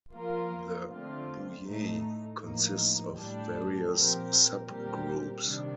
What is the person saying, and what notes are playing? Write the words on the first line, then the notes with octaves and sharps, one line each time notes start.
The Bouyei consist of various subgroups.
F3 A#3 F4 A#4
D3 A3 C4 F4
A2 A3 D#4
A2 F3 A#3 D#4
A2 G3 D4 G4
A#2 F3 C4 G4 A#4
A#2 G3 C4 G4 A#4
C3 D#3 G3 D4